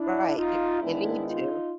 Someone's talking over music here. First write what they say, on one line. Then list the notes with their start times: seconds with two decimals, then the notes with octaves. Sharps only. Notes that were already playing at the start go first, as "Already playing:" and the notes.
Right, you you need to,
Already playing: D4 E4
0.36 D#4 F4
0.81 G#2 D#3 G#3 B3 D4 E4
1.26 D#4 F4